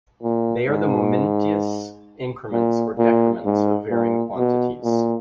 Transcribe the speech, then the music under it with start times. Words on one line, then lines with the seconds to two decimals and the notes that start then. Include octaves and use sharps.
They are the momentaneous increments or decrements of varying quantities.
0.23 A#2
0.68 G#2
2.52 A#2
2.98 A#2
3.45 G#2
3.91 A#2
4.38 B2
4.84 A#2